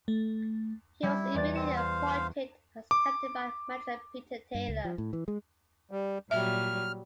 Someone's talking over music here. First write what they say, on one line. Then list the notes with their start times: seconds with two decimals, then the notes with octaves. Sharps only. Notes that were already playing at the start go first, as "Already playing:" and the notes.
He was immediately appointed as captain by manager Peter Taylor.
0.08 A3
1.03 G3 E4
1.34 E2 D5 A6
1.56 C4 E7
1.77 C5 F5
2.91 D6
4.55 G2
4.68 C#2
4.85 F3
4.98 A2
5.13 E3
5.28 G#3
5.91 G3
6.31 A#2 F#3 G3 E5 F6